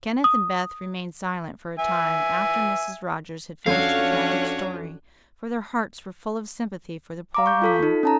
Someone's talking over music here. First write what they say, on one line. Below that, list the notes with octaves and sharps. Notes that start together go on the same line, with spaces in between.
Kenneth and Beth remained silent for a time after Mrs. Rogers had finished her tragic story, for their hearts were full of sympathy for the poor woman.
D#6
E5 G#5
F2 C#4 D4 F#4 A4 C#5 F5
F5 A#5 D6
C#6 G6
F4 A4 B6
D#4 A4
C#4 A5 A#5